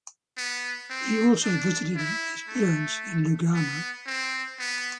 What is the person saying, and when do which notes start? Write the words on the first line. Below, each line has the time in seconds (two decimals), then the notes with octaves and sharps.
He also visited his parents in Lugano.
0.37 B3
0.90 C4
1.43 D4
1.96 E4
2.48 A3
3.54 B3
4.06 C4
4.59 B3